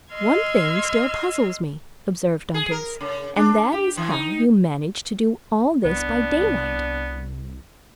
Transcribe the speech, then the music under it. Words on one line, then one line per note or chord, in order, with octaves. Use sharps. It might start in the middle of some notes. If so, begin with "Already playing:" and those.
"One thing still puzzles me," observed Dantes, "and that is how you managed to do all this by daylight?"
D#5 C6 E6 F6 G#6
G#4
A#4
C#3
D4
G4
E3
D#4
C2 B3 D4